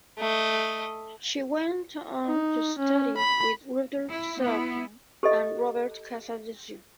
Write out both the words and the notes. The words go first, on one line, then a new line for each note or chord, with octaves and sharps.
She went on to study with Rudolf Serkin and Robert Casadesus.
A3 D#5
D#4
C#4
B5
E4
B3 E4
G4 A4 D#5